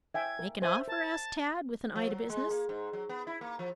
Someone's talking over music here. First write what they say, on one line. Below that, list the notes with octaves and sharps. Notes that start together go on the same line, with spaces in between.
"Make an offer?" asked Tad, with an eye to business.
E5 G5 G#5 G#6
A#4
C5 E5 G#5
A#4 A5
F3
F#3
G#3
A#3
G#2
F#3
B3
E4
A#3
F3